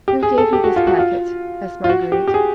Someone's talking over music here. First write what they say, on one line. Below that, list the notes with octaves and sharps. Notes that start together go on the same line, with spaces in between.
"Who gave you this packet?" asked Marguerite.
G4
G#4
A4
G4
F#4
F4
F#4
F4
F4
F#4
G4
G4
G#4